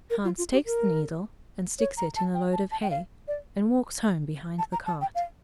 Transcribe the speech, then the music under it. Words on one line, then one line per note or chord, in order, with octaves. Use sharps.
Hans takes the needle, and sticks it in a load of hay, and walks home behind the cart.
A#4
F4
F4
G4
A#4
C#5
A#5
A5
G5
A5
A5
G5
F5
D5
A5
A#5
A5
G5
F5